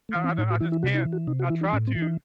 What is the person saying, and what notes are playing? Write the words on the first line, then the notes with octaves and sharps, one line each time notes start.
I I I just can't I try to
A3
E3
C4
A2 D#4
F#4
E3 E4
E4
C3 F#4
D#4
E4
E3
F#4
C3 D#4
F#4
E3 E4
D#4
A2 C#4
C4
E3
D#4